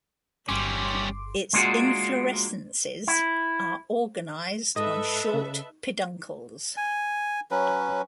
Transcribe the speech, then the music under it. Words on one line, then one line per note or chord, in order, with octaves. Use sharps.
Its Inflorescences are organized on short peduncles.
G1 G3 C#4 C6 D6
G#3 A#3 D4 F4 F#4 G#4
E4
G#2 A4 B4 D#5 E5
C#3
G#5
F#3 C#4 B4